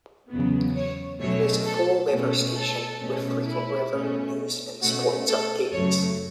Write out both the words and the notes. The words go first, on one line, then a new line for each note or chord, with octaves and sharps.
It is a full service station, with frequent weather, news and sports updates.
E2 C#3 F#3 B3
C#5
B2 F#3 A3 C#4 C#5
A4
B2 A3 C#4
A4
B2 A3 C#4
E4
B2 A3 C#4
B2 A3 C#4 F#4
A4
F#2 C#3 F#3 A3 C#5